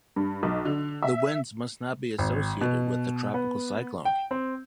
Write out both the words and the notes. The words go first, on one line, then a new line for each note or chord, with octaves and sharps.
The winds must not be associated with a tropical cyclone.
G2
B1
D3
E5
G#1
B2
B3
G5
C4